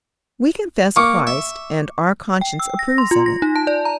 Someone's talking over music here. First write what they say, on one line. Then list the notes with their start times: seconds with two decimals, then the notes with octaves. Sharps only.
We confess Christ and our conscience approves of it.
0.96 A#3 C#6 D6
1.27 E5
2.41 G5
2.60 E6
2.79 A#6
2.98 C6
3.11 F4
3.26 A#6
3.42 D#4
3.56 A5
3.67 D5
3.85 A#5